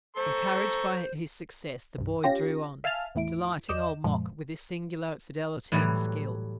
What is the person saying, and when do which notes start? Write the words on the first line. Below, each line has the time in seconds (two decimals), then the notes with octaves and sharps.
Encouraged by his success, the boy drew on, delighting Old Mok with his singular fidelity and skill.
0.17 A4 C5 A#5 C#6
1.98 C2 G2
2.23 C#4 F4 G4 A#6
2.84 E5 F5 G#5 A5 F6
3.15 E2 A2 E4 D7
3.69 E2 D5 D#5 G6 E7
4.04 F#2 A#2 F3 G#3
5.72 A2 E3 F#3 G3